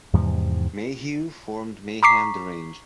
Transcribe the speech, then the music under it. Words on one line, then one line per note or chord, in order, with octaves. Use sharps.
Mayhew formed Mayhem Deranged.
E2 G#2 C3 F3
A#5 C#6 D6 B6 C7